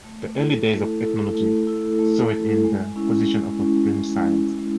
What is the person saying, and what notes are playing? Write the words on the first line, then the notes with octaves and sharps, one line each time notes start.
The early days of ethnology saw it in the position of a fringe science.
A3
E4 A4
A3
E4 A4
A3
E4 A4
A3
E4 A4
G#3
C#4 E4
G#3
C#4 E4
G#3
C#4 E4
G#3